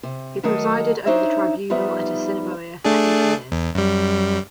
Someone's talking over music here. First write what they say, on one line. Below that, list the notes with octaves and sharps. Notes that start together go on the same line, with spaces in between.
He presided over the tribunal at Assiniboia for eight years.
C3
D#3 F#3 A3 A4 A#4 D#5
D4 D#4 C5 C#5 E5
F3 G3 B3 D#4 B4 E5
A3 D4 G#4
E2
F#2 G3